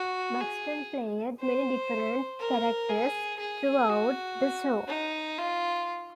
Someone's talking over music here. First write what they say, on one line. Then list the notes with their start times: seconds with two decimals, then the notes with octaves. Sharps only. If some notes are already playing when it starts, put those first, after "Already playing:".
Buxton played many different characters throughout the show.
Already playing: F#4
0.41 G#4
1.40 C5
2.39 A#4
2.89 G#4
3.39 G#4
3.89 F#4
4.88 D#4
5.38 F4